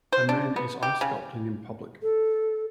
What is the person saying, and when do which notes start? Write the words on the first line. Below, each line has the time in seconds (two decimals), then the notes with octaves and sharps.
A man is ice sculpting in public.
0.12 C5
0.29 D4
0.56 B3
0.83 G4
1.01 C#3
2.03 A4